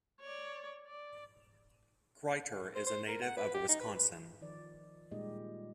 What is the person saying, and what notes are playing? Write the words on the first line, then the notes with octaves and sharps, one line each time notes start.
Kreiter is a native of Wisconsin.
C#5 D5
D5
C5
C5
A#4
F#5
B4
G4
D#4
B4
B4
D#3 F3 D5
A#2 G3 G#3 D#4 G4 D#5